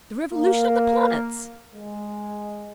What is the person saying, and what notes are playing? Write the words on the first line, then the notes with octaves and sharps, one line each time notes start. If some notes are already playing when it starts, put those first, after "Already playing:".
The revolution of the planets.'
A#3
G#3